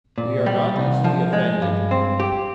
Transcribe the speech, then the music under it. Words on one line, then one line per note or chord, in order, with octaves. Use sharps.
We are not easily offended.
A#2
G3
C2
F3
G#3
G2
C4
G4